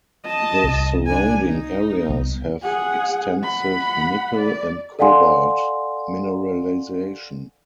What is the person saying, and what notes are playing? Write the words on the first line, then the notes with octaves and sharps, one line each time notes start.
The surrounding areas have extensive nickel and cobalt mineralisation.
D#5 A5
C2
D4 G#5
D#4
C2 B3
G#4 F#5
F#5 B5
D5
A4 D5 F5 F#5 G#5 C6